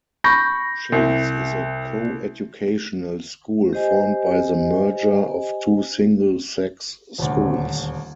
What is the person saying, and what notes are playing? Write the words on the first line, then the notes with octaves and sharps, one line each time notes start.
Chase is a co-educational school formed by the merger of two single-sex schools.
B5 C#6 G6 A#6
C2
G4 C5 D#5 G#5
D#1 D2